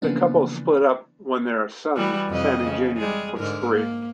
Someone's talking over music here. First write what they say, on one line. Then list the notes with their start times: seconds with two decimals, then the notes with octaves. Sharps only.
The couple split up when their son Sammy Junior was three.
0.02 C#3 E3 F3 A#3 B3 D4
1.96 E3 G3 F#4
2.29 F2 C3 D#5
2.65 C#3
2.97 G3 G#3 G#4
3.39 G#2 D3 A#4
3.71 A#3